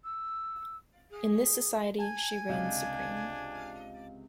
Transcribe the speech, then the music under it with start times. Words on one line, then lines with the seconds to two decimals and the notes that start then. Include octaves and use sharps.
In this society, she reigns supreme.
0.04 E6
1.10 G#4
1.99 G#5 A5
2.49 C#2 C3 D4 D#5 F5 G6